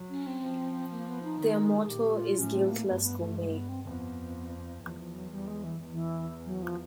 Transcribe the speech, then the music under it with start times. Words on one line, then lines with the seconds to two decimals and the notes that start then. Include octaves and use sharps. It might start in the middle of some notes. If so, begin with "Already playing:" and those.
Their motto is Guiltless Gourmet.
Already playing: F#3
0.10 C#4
0.27 C4
0.42 F3
0.91 A#3
1.08 B3
1.24 D#4
1.40 D#3
1.78 G#4
1.89 A#2 G4
2.14 F4
2.38 A2 C#4
2.54 C4
2.66 B3
2.71 A#3
2.87 G2 B3
3.03 B3
3.19 A3
3.36 G#3
3.52 B3
3.69 C4
3.84 F2 B3
4.82 E2 F3
4.99 F3
5.15 F#3
5.31 G3
5.48 G#3
5.64 E3
5.81 E2
5.91 E3
6.46 F#3
6.62 F3